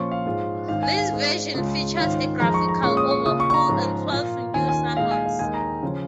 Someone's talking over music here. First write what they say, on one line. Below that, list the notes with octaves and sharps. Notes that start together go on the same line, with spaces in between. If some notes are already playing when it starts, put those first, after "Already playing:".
This version features a graphical overhaul and twelve new summons.
Already playing: A#2 F3 C#4 F4 C#6
F5
G#2 G#3 C#4 F4
G#2 D#3 C#4 F5
G#5
F5
G#2 G#3 D#4
C#2 C#3 G#3 F4
G#2 D#3 C#4 F4 F5
F2 F3 G#3 D#4 A#5
C#6
A#5
A#2 G#3 C#4 F4 C#6
D#6
C#6
C#3 A#3 F4 D#6
C#6
C#6
A#5
G#2 F3 C#4 F4
A#2 A#3 F4
D#2 D#3 C#4 F4 G#5
G#5
A#2 G#3 D#4 F5
G#5
F5
D#2 D#3 G#3 D#4 G#5
A#5
C#3 F3 C#4 F4